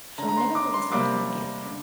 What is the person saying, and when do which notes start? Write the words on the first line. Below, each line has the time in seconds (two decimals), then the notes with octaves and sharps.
I shall never feel the same to her again.
0.18 D3 A3 A#5
0.28 A#5
0.37 C6
0.55 D6
0.74 C6
0.92 C3 G3 A#3 D6
1.66 D3